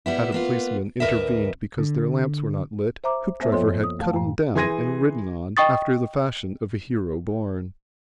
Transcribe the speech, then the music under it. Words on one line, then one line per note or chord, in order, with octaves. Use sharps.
Had a policeman intervened because their lamps were not lit, Hoopdriver had cut him down and ridden on, after the fashion of a hero born.
G3 B3 E4
A#3 B3 F4
D2 A#4 B4 D#5 E5
D3
C5 E5 A#5 D6
A#3 B3 C5 E5
F#2 F3 F4 A4 C#5 C6
D#6
A3 F5 A5
F#2 A2
E3 G#4 C6 G#6 A#6 D#7
D#5 G5 C#6 D#6 A6